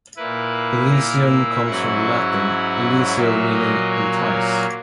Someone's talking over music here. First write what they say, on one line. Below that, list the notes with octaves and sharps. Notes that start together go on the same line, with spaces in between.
"Illicium" comes from the Latin "illicio" meaning "entice".
A#2 A#3 E4 B4
A#4
E5
G#2 F#3 C#4 E4 F#5
A#2 F#3 A#3 E5
D#5
C#5